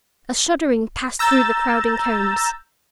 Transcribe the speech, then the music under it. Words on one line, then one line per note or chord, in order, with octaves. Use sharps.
A shuddering passed through the crowding cones.
A#5 E6 G6 A6